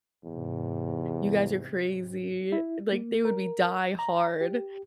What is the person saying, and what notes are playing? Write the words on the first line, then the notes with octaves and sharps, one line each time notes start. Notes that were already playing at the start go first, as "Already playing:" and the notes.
you guys are crazy." Like, they would be die-hard,
E2 G#2 C3
E4
A#3
A#4
A#5
G4